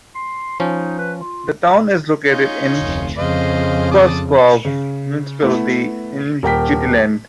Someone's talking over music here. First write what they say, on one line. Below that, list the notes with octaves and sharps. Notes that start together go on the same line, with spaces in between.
The town is located in Favrskov municipality in Jutland.
C6
F3 C#4 D#4
B4
F4
C#4 D#4 F4
F1 D2
F2 C#3 C5 D#5 F5
A5 D6 D#6
C#3
A3 B3 E4
D#1 A#4 G5 B6